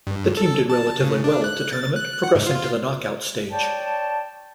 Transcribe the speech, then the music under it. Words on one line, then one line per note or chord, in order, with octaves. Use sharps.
The team did relatively well at the tournament, progressing to the knockout stage.
G2
A4
A5
C#3
D4
F#6
A6
F#6
F#5
G#2
F4
C#5 D5 G5 A5